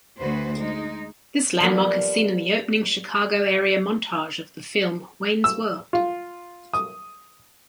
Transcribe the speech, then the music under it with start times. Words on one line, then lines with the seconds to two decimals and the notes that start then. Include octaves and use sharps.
This landmark is seen in the opening Chicago-area montage of the film "Wayne's World".
0.18 D2 F#4 B4 C5
0.58 G#3 D#4
1.60 F3 G3 A#3 B3
5.44 E6
5.93 F4
6.74 D#6